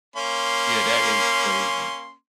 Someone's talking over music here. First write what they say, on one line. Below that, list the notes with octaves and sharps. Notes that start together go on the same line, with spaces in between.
Yeah, that is crazy.
A#3 C#4 C6